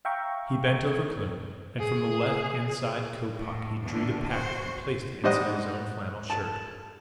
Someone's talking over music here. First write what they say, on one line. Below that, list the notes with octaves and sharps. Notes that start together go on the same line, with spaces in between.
He bent over Kloon and, from the left inside coat pocket, he drew the packet and placed it inside his own flannel shirt.
E5 F5 G5 A#5 C#6
G#4
A2
E2 D3
F#4 C5
G#2 G3 C5 D#5 F#5
A5